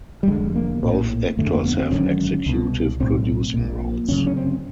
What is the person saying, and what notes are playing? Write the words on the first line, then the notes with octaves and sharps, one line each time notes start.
Both actors have executive producing roles.
G3
F1 F2 D3 G#3
A#3
A#1 A2
G1 F2 D3 A3
A#3
B3
C4
G#1 F#2 D3 C#4
C2 B2
B1 A2 C4
A#1 A#2
G1 F#2 C#3 C#4
C#4
C4